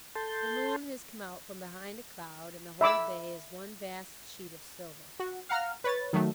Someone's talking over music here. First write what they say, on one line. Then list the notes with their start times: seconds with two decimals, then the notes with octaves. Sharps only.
The moon has come out from behind a cloud, and the whole bay is one vast sheet of silver.
0.15 A4 A5 C6 G6
2.81 E5 B5 D6 E6
5.19 F#4
5.49 F5 F#5 A#5 F6
5.84 B4 C#5 A6
6.13 D#3 F#3 A3